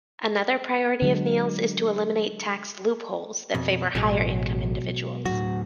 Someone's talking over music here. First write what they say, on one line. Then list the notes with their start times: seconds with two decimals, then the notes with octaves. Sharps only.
Another priority of Neal's is to eliminate tax "loopholes" that favor higher-income individuals.
1.02 D3 F#3 G#3
3.54 F2 B2
3.95 A1 B2 F#3 G#3
5.25 A2 F#3 F#4